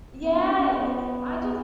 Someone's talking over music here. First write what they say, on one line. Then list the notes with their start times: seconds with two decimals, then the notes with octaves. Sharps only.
Yes! I just
0.24 B3
0.35 D4
0.46 C#4
0.58 C#4
0.68 B3